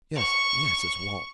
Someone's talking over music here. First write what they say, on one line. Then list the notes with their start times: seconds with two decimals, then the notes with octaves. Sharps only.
Yes, yes, it's Walt.
0.16 C#6